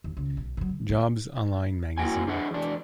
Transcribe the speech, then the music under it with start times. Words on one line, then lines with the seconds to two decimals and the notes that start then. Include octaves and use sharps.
Jobs online magazine.
0.04 D#2
0.17 C#2
0.37 B1
0.57 C#3 F#3
0.69 D3
0.89 B3
1.98 A#3 E4 F#4 G5 G#5
2.27 D4 G#4 E5 F#5
2.51 E2 D4